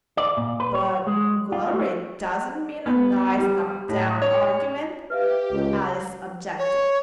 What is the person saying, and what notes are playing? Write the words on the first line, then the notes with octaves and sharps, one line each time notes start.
'But "glory" doesn't mean "a nice knock-down argument,"' Alice objected.
D5
A#2
B4
C#5
G#3
F4
A3
B3
G3
A2
C#5
G4 B4 E5 F5
C#2
C#5